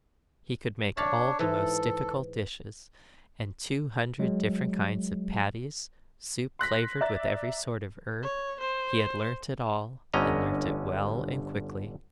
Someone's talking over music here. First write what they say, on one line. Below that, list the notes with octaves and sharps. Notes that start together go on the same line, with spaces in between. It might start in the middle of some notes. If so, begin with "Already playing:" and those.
He could make all the most difficult dishes, and two hundred different kinds of patties, soup flavoured with every sort of herb--he had learnt it all, and learnt it well and quickly.
D4 C#5 F5 A5 B5
G#2 E3 A4
F#3 G#3
C6 F#6 A#6 B6
D5 E5 A#5 F#6 A6
C#5
C5
G1 D3 C#4 D#5 A#5